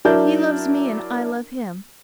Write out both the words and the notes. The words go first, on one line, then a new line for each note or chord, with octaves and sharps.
He loves me and I love him.
F#3 D4 E4 A#4 A5 G6